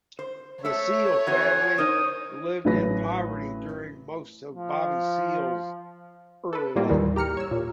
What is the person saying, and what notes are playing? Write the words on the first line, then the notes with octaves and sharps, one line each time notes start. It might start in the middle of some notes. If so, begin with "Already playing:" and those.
The Seale family lived in poverty during most of Bobby Seale's early life.
C5
A3 A4 C#5 E5
F2 F#4 C5 G#5
D#4 A#4 C5 D#6
A1 A2 F#3 B4 C#5 A#6
F3
A4 B4
A2 G3 A#3 F4
D#2 D#3 E3 G3
G4 A#5 F6 C#7
C#5 E6
A#2